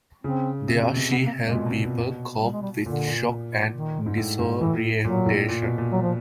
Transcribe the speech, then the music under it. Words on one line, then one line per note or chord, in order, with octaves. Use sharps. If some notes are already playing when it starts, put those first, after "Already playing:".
There she helped people cope with shock and disorientation.
C#3 C4
C3
B2
C3
B3
A#3
G#3
A#2
B2
C3
B2
B2
G3
G#3
G3
A#2 D3
A#2
D#3
G#2
A2
G#2
A2 E3
A#2 F#3
A2
A#2
B2
A#2
F#3
F3